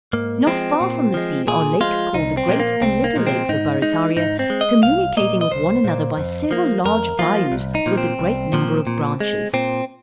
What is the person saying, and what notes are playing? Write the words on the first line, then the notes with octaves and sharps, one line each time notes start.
Not far from the sea are lakes called the great and little lakes of Barrataria, communicating with one another by several large bayous with a great number of branches.
G#2 A#3
F3 G#3 C4
A#2
F3 G#3
A#2 G#4
F3 G#3 F4
C2 D#4
C4
A#2 F3 G#3
A#3
C2 C4
A#3
A#2 F3 G#3
C4
G#2 D#4
G#3 D#4
G#2 D#4
C4
G#3
D#5
C2 F5
A#2 A#3 D#5
D#5
C2 C5
A#2 A#3
F2
F3 A#3
F2 A#4
F3 A#3 F4
C2
D#4
A#2 F3
C4
C2
A#2 F3
A#2
G#3
A#2 C4